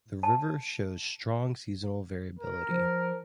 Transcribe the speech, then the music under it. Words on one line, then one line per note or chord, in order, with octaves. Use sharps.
The river shows strong seasonal variability.
A5
A#4
F3